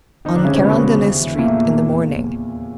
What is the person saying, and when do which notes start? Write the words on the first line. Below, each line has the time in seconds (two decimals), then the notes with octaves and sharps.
On Carondelet Street, in the morning.
0.25 F2 D#3 D#4
0.35 D3 D4
0.44 C#3 G#3 C#4
0.53 C3 C4
0.63 B2 G#3 B3
0.83 G#3
1.01 E2
1.20 E3
1.35 A3
1.38 E2 A#2 A#3
1.58 E2
1.76 D#2